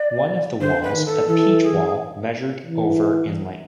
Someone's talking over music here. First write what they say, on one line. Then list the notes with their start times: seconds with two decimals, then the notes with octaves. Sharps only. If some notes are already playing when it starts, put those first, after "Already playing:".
One of the walls, a peach wall, measured over in length.
Already playing: D5
0.61 D3 C5
0.83 B4
0.95 D#3
1.06 A4
1.28 E3 A4
1.63 G#4
2.67 E3